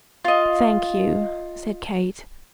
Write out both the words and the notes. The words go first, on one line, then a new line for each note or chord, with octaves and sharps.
"Thank you," said Kate.
F4 D#5